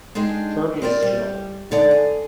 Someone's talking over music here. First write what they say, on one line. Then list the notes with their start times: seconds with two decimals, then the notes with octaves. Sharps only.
Hermes Jaw.
0.15 G#3 D4 D#4 G4 G#4
0.82 C4 A#4 B4 D5 D#5
1.03 G3
1.71 G#2 D3 D#4 D5
1.91 G#4